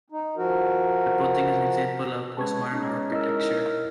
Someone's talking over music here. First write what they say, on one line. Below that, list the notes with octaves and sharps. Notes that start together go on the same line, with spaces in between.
The building is an example of Postmodern architecture.
D#4
F3 F#4 A#4
G#3 C#4 B4 A5 C#6 G#6
G#3 C#4 D#4
E4 A#4 D#5 E6